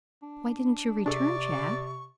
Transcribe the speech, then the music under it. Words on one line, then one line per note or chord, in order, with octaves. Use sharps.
Why didn't you return, Jack?
D4
C3 D4 G#4 A4 D5 C#6